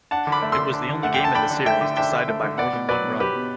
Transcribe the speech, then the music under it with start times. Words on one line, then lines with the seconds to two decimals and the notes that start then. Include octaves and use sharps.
It was the only game in the Series decided by more than one run.
0.11 D4 F#5 A5
0.27 D3
0.32 B5 D6
0.42 A3
0.52 C6 E6
0.58 D3
0.73 D4
0.89 D3
1.03 A3 F#5
1.14 G5
1.20 D3 A5
1.35 D4 G5 B5
1.50 D3
1.65 A3 E5 G5
1.81 D3
1.97 D4 E5 G5
2.12 D3
2.28 A3
2.43 D3
2.58 B3 D5 F#5
2.73 B2
2.89 F#3 B4 D5
3.05 B2
3.19 B3 G4 B4
3.35 B2